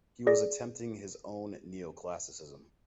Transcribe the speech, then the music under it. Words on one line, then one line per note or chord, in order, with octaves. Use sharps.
He was attempting his own neo-classicism.
G#4 D5 A#6